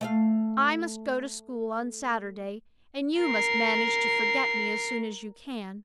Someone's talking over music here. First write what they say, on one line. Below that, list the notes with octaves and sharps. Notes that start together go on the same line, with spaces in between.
I must go to school on Saturday, and you must manage to forget me as soon as you can.
A3 E5 F5
A#4 C7